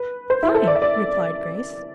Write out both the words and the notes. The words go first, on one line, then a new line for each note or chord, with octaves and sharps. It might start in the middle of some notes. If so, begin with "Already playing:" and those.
"Fine," replied Grace.
Already playing: B4
C5
E4
A4
D5
E5
D5